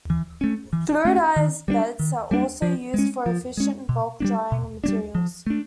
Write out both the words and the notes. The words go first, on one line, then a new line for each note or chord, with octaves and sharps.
Fluidised beds are also used for efficient bulk drying of materials.
E3
A3 C#4
E3
A3 C#4
D#3
G3 A#3 D4
D#3
G3 A#3 D4
F3
G#3 C#4
F3
G#3 C#4
B2
G3 A#3 D4
B2
G3 A#3 D4
F3
A3 D4